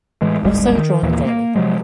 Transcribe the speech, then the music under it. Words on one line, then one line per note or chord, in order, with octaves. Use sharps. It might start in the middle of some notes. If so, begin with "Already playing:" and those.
Also drawn daily.
A2 E3 G#3
D1 G#1 G3 G#3
D#3
D#2 A#2 E3 A#3
A#3
C3 F3 F#3 G#3